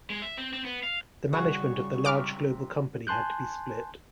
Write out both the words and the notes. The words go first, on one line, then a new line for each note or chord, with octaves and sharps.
The management of the large global company had to be split.
G#3
E5
C4
C4
B3
F5
C#3 G3 F#4 G#4 C#6
G#2 C3 D6 F6
G#5 A5 C6 F#6 G6